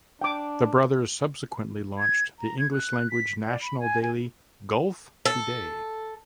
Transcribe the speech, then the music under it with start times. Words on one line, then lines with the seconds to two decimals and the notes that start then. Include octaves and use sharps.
The brothers subsequently launched the English language national daily "Gulf Today".
0.22 D4 G5 D6
1.98 G#6
2.39 A#5
2.58 G#6
2.72 F#6
3.10 B6
3.47 D5
3.61 B5
3.79 G#5
4.02 G#5
5.25 A4